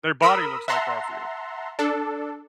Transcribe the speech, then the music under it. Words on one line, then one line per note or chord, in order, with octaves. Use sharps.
their body looks like Garfield.
A#4 B5 D#6 E6
E5 F#5 A5 A#5 C6
D4 A4